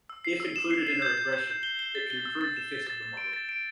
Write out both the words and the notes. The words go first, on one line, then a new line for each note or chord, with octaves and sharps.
If included in a regression, it can improve the fit of the model.
E6
C7
E6
E7
C7
C7
G6
G6
G6
G6
G7
G7
A6
G7
E6
A6
E7
G7
A6
A6
D7
A6
D7